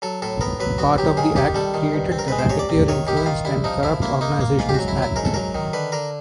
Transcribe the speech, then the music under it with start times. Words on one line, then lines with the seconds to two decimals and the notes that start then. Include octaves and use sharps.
Part of the Act created the Racketeer Influenced and Corrupt Organizations Act.
0.02 F#3 A4
0.22 A2 A4
0.41 B3 A#4
0.60 F#3 B4
0.78 B3 F#4
0.98 F#3 G4
1.17 D#3 G#4
1.36 D#3 G4
1.54 G3 A4
1.74 D#3
1.94 G2
2.12 C4
2.19 A#4
2.28 G#3 B4
2.39 C5
2.49 C3 C#5
2.59 D5
2.69 C3
2.88 D#3 C#5
3.07 D#3 G4
3.17 E4
3.26 D#3 F4
3.45 C2 E4
3.64 F3 D#4
3.83 F3 E4
4.02 A#3 E4
4.21 A#3 D#4
4.41 A#3
4.59 G#2 F4
4.69 G4
4.74 F#3 F#4
4.88 E4
4.97 F#3
5.02 E4
5.16 G#2 A#4
5.25 A4
5.34 F#3 A#4
5.55 D#3
5.73 D3 B4
5.92 D3 A#4